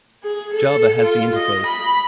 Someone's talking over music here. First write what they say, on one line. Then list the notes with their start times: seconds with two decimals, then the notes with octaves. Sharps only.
Java has the interface.
0.23 G#4
0.54 A4
1.06 F4
1.36 D#5
1.67 B5